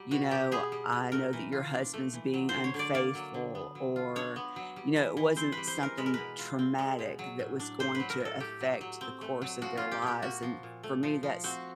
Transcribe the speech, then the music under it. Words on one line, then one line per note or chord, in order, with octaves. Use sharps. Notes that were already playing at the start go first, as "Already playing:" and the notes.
you know, I know that your husband's being unfaithful or, you know, it wasn't something traumatic that was going to affect the course of their lives, and for me, that's
Already playing: F#3 G3
B2 F#4
B2 G4
B3 G#4
G3
B2
A3 A#4
E3
F4
D4
A3
E3
F#3
C5
D3
C#5
D3
D5
A#3 D5
F#3
D3
B3
F#3
F4
D4 C#5
B3
F#3
G3
E3
E3
C4 C5
G3 B4
C5
E3
A#4
G#3 B4
A#4
B2 B4
F4
C4
G#3
B2
F#3
A2
D4
A3 C5
B4
F#3
A#4
A2 A4
A3 G4
F#3
F#3
C4
A3
F#3
F3 F#4
A#2 F4
G4
A#2
G4
A#3 F#4
F3
A#2
A3
F3
F3
C4 F#4